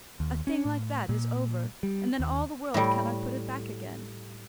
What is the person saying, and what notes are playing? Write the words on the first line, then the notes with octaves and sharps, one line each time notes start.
A thing like that is over, and then all the world cannot put it back again.
D#2
C#4
A2
A#2
G3
D#2
A2 G3